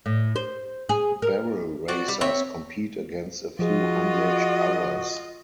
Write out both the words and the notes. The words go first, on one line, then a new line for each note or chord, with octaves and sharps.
Barrel Racers compete against a few hundred others.
A2
C5
G#4
A#4
C4 F#4 D5
G3
C4 C#5 E5
F3 F4 F#4 G#4 D#5